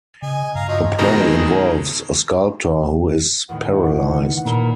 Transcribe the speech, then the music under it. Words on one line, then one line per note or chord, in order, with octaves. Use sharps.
The play involves a sculptor who is paralysed.
C#3 D#5 G#5
G2 F5 A#5
F3 F#3 D#5
F2 B2 D#3 G#3 A#5 D#6
E2 A2 D#3 F#5
F#5
A#2 A#4 B5